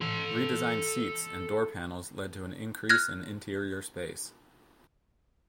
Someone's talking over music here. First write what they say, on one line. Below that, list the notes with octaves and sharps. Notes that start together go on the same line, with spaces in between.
Redesigned seats and door panels led to an increase in interior space.
A4 C6
F6 F#6 G#6 A#6